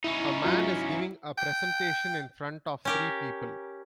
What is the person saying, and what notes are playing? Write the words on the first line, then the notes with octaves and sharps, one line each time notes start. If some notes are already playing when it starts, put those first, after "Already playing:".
A man is giving a presentation in front of three people.
C#4 D#4 E4
F#3 F4
G5
C#4 G4 A#4